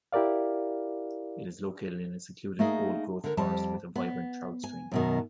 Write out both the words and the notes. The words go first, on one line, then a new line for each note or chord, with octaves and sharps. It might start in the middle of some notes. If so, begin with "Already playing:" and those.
It is located in a secluded old-growth forest with a vibrant trout stream.
E4 G4 A#4 D5 F5
A3 A#3 D#4 G#4
D3 A#4
F2 G3 G4 A5
B3
G#5
F#2 B2 D#3